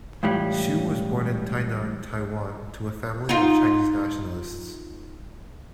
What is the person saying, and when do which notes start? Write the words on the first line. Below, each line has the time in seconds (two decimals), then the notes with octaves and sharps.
Xu was born in Tainan, Taiwan to a family of Chinese nationalists.
0.23 C#2 A2 E3 G3
3.29 D#4 F4